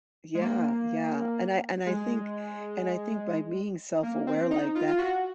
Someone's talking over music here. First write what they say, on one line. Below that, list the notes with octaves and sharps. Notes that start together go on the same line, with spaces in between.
Yeah, yeah, and I and I think and I think by being self-aware like tha
G#3
A#3
G#3
A#3
C4
D#4
F4
F4
F#4